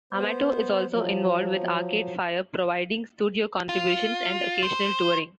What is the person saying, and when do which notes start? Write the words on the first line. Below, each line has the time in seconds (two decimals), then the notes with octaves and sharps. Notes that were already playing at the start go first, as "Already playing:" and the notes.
Amato is also involved with Arcade Fire providing studio contributions and occasional touring.
0.13 B3 C5
0.88 F3 F#3
3.69 F4
4.63 C5